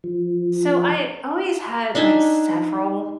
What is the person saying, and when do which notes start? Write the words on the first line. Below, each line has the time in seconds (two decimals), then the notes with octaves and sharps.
so I always had, like, several
0.04 F3
1.95 D4 D#4 E5 G#5